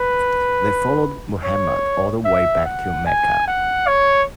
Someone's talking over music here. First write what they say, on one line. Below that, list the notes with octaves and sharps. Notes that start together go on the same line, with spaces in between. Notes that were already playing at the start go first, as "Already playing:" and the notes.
They followed Muhammad all the way back to Mecca.
Already playing: B4
C#5
E5
F#5
G#5
F#5
C#5